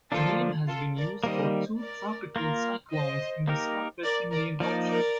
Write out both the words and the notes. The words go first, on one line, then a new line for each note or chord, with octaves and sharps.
The name has been used for two tropical cyclones in the Southwest Indian Ocean.
D3 F3 A#3 D4 F4 A4
F4 A4
A#4 D5
D#3 G3 A#3 C5 D#5
A#4 D5
A#3 F4 A#4
C5 D#5
A#3 D#4 G4 A#4
A#4 D5
A#4 D5
F3 A#3 D#4 A#4 D5
A#4 D5